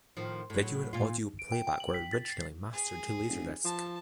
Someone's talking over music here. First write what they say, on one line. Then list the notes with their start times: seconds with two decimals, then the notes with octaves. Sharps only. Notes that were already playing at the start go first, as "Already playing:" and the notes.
Video and audio playback were originally mastered to laserdisc.
0.17 A2 D#3 F3
0.50 A2 F#3
0.93 A#2 F4
1.39 D7
1.52 G5
1.67 G5
1.80 F#7
1.94 B6
2.12 A6
2.32 C7
2.73 G#4
3.28 F1
3.64 F3 A5